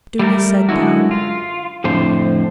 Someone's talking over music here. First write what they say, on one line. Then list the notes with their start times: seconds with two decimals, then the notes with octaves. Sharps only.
Dounia sat down.
0.19 G3 A3 G#4 A#4
0.69 F#2 D3 G#3 E4 F#4
1.11 F4
1.84 F2 A2 D3 C5